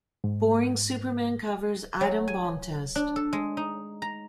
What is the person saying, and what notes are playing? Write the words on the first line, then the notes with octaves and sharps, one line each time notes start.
Boring's Superman Covers Atom Bomb Test!
G#2
F#3
G#5
D4
A4
G#3
D#4
A#5